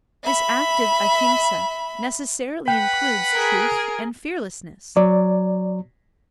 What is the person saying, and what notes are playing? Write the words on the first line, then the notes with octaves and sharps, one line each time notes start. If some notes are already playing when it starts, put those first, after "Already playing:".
This active Ahimsa necessarily includes truth and fearlessness.
E5 B5
B4 F#5 G5 B5
G#4 A#4
F#3 D5